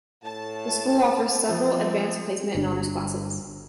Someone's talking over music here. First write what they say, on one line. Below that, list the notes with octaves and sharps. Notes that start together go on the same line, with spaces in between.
The school offers several Advanced Placement and Honors classes.
A2 A5
F3 C4
G1 D4